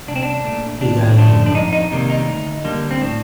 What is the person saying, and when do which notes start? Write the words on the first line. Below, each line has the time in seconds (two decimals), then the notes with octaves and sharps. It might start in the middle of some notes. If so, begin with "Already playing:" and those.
He died in Marburg.
0.08 C2 D4
0.16 C4
0.23 D4
0.45 A#2 A3
0.81 D#2 D4
1.18 D3 F3 A3 D4
1.46 D4
1.55 F2 D#4
1.73 D#4
1.91 C3 D#3 G3 A#3
2.10 D#4
2.27 D2
2.64 D3 G3 A#3
2.91 C4
3.01 A2 D4